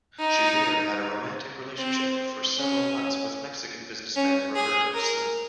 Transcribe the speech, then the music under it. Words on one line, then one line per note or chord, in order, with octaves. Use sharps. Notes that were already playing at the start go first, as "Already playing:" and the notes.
She later had a romantic relationship for several months with Mexican businessman Roberto Slim.
D#4
C4
C#4
C#4
G#4
A#4